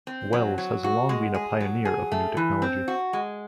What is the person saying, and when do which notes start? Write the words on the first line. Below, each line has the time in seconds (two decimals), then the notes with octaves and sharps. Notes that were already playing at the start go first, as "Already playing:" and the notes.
Wells has long been a pioneer of new technology.
0.07 C4
0.33 F#3
0.58 F#3
0.84 F#4
1.09 G#3
1.34 G#4
1.60 F#3
1.85 G#4
2.12 A3
2.37 E3
2.62 C4
2.88 F#4
3.13 G#3